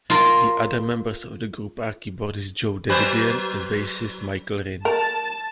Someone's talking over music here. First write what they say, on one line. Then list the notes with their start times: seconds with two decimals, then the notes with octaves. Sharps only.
The other members of the group are keyboardist Joe Davidian and bassist Michael Rinne.
0.10 F4 A#4
2.89 F#3 B4 C5
4.85 A#4 A5